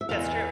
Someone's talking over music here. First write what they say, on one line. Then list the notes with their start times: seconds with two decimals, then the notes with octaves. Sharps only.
That's true.
0.01 E5
0.09 E2 C#3 E3 F5